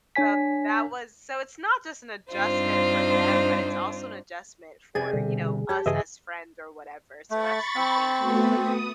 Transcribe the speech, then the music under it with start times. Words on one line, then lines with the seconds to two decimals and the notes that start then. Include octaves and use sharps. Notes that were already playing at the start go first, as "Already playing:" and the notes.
So that was so it's not just an adjustment for them, but it's also an adjustment for, you know, us as friends or whatever. So that's something
0.16 D4 C#5 G#5 B6
2.31 G2 C4 D4 D#4 F4 C5
4.95 C3 G#4 D5 G#5 G#6
5.14 B2 D3 G3
5.69 G4 C#5 A5
5.86 G2 C#3 E3 G#4 D#5 E5
7.31 A3 B5 C#6 A6
7.76 C4
8.17 A3 B3 F#4
8.52 D#6